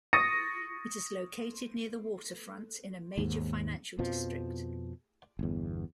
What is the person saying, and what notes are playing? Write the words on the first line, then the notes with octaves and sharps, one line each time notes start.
It is located near the waterfront, in a major financial district.
C#6 D#6 A6 A#6 C#7 D#7
D#2 G#2
F2 B2 F3
G1 E2